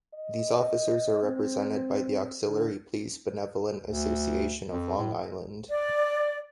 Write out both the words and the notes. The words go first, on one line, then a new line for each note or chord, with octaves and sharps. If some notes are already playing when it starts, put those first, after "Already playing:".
These officers are represented by the Auxiliary Police Benevolent Association of Long Island.
D#5
C4
D3
D2
F2
A2
D5